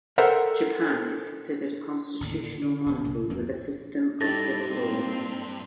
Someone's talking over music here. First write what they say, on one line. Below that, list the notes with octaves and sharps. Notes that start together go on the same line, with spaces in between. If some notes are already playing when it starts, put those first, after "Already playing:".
Japan is considered a constitutional monarchy with a system of civil law.
A4 A#4 C5 E5 F#5 G5
A1 D#2 D3
A#2 D3
D3
E1 D3 B3
C2 A#2
D1 F2 F3 A#3
G2 D#4 E4 G4 A4 A6 A#6
A#3 C4